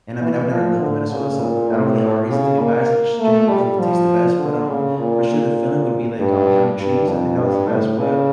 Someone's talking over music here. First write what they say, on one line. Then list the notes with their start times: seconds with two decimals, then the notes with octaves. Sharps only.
and, I mean, I've never lived in Minnesota, so th I don't really have a reason to be biased, I just generally think they taste the best, but, um, for sure, the filling would be like, um, ham and cheese, I think that one's the best, but
0.20 E3
0.51 F3
0.80 D3
1.10 C#3
1.40 A#2
1.70 A2
2.29 C#3
2.60 A#3
3.19 A3
3.49 G3
3.79 F3
4.39 D3
4.68 C#3
4.98 A#2
5.29 A#2
6.19 G2
6.78 G2
7.08 F2
7.38 G2
7.68 A2
7.98 C#3